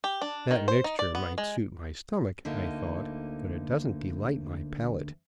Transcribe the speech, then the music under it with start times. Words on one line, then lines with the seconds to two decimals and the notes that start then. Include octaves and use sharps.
That mixture might suit my stomach, I thought, but it doesn't delight my palate.
0.04 G4
0.22 D4
0.51 D#3
0.68 C5
0.84 D#4
0.99 D5
1.15 B3
1.38 G#3
2.45 D2 D3 A#3 D#4